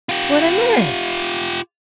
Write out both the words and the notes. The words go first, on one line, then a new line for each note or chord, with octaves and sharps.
"What on earth?"
F4 G4